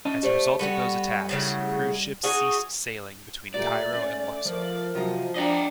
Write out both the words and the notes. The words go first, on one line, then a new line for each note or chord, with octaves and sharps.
As a result of those attacks, cruise ships ceased sailing between Cairo and Luxor.
C#4 D#5 A5
A3 G4 C5 D5
G3 B3 F#4 A4
A2 C#3 F#3
D#4 F#4 G#4
A#2 A3 G4 D5
A3 C#4
F3 A#4
C3 F3 F#3 D#5
D4 D5 D#5 F#5 G5 A#5